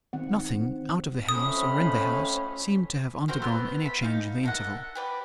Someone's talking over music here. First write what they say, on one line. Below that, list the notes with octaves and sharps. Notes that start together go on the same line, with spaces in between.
Nothing, out of the house or in the house, seemed to have undergone any change in the interval.
D#3 C4 F#5
F2 A2 C#4 C5 B5 D#6
C4 F#4 A#4 C5
B3 A4 C6 E6
B5
D#4 F5
A4 A#4 F#5
G4 B4 D5